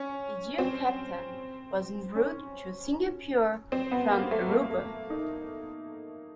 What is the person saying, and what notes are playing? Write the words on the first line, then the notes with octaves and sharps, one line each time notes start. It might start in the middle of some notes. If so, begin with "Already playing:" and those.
"Aegean Captain" was en route to Singapore from Aruba.
Already playing: C#4
C4
C#4
C4
B3
A#3
A3
A#3
A3
D#4